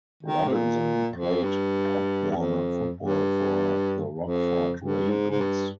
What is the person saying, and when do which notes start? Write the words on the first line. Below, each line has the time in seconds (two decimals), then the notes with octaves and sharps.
Robinson played Pop Warner Football for the Rockford Ravens.
0.23 D#3
0.47 C3
0.53 A#2
1.14 F2
1.44 G2
2.31 G2
2.35 F2
2.97 G2
4.19 F2
4.80 G2
5.10 G#2
5.30 G#2
5.41 G2